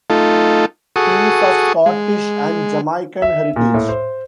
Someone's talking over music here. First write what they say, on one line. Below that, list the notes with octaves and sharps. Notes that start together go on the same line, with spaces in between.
He is of Scottish and Jamaican heritage.
A3 D#4 F4 A4
F#4 G#4 A4 C#6 D#6
G#3
E5
A#2
A2
C5